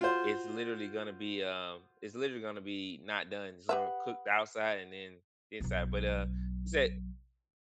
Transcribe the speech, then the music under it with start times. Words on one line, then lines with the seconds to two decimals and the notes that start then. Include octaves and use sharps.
it's literally gonna be, um, it's literally gonna be not done. It's gonna cook the outside and then inside. But, uh, she said
0.01 F4 F#4 C5
3.69 G4 B4 E5 F#5 B5 D#6
5.61 B1 F#3